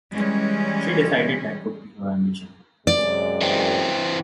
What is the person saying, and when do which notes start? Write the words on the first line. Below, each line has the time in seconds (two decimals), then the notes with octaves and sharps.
She decided that would be her ambition.
0.14 E3 G3 G#3 C#4
2.87 F#2 C3 G#3 D5
3.41 E3 C4